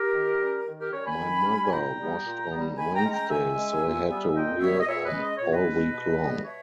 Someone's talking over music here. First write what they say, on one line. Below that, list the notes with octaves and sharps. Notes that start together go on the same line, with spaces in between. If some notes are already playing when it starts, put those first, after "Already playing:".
My mother washed on Wednesdays so I had to wear them all week long.
Already playing: G4 A#4
D#3
G3 C#4
D#3
G4 A#4
G3 C#4 A#4 C#5
G#5 B5
D#3
G3 C#4
G#5
A#2 G5 A#5
G3 B3
A#2
G3 B3
D#3 G#5 B5
G5 A#5
G#3 C#4
G5 A#5
D#3 E5 G#5
G#3 C#4
A#2
G3 B3
A#2 D#5 G5
G3 B3 C#5 E5
D#5
A#2 C#5 E5
B4 D#5
G#3 C#4
D#5
A#2 C#5
B4 D#5
G#3 C#4
B2
G3 B3
B2 C#5 E5